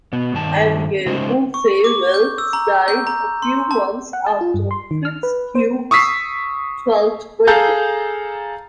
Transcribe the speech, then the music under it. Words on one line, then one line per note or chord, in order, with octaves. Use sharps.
Abigail Woolsey Wells died a few months after Fitz Hugh’s twelfth birthday.
B2 B3
G2 D#3 A5
C#3 G#3 A3 C#4 D#4 C5
C#6
D6
G6
E6
A#5
G6
A#5
C6
A5
F#5
A5
F4
G2
C6
D#3
F6
B4
C5
C#6 D#6 E6 B6 C7
G#4 A4 F5 A5 A#5 G6